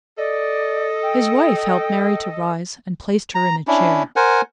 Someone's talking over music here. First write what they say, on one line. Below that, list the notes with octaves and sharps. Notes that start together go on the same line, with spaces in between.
His wife helped Mary to rise, and placed her in a chair.
A4 D5 D#5
G5
A#5
C#4 D4 E4
A#4 C5 F#5 G#5